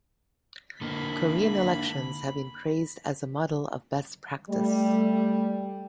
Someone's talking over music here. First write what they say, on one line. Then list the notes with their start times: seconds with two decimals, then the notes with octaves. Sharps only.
Korean elections have been praised as a model of best practice.
0.81 D3 A#3 B5
4.49 G3 A3